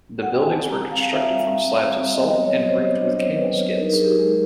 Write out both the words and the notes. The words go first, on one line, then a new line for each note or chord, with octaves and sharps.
The buildings were constructed from slabs of salt and roofed with camel skins.
F#5
G5
G#5
C4 A5
G3 A#5
C4 F5
F4 E5
G3
G3
G3
C4
B3 D#5
F#3
C#5
B3
C5
F#3
D4 C5
F#3
F#3 B4
F#3
D#4 A#4
G#4
D#4
G4
G#3